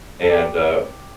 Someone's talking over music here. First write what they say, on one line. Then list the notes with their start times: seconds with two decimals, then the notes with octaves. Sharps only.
and, uh,
0.22 A4
0.29 G4